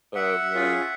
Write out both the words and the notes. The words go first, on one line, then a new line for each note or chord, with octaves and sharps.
Oh, man.
E5 F#5
C#4 F4 G#4